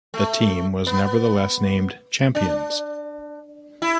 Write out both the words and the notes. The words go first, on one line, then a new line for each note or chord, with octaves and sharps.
The team was nevertheless named champions.
A3
B3
D4
E4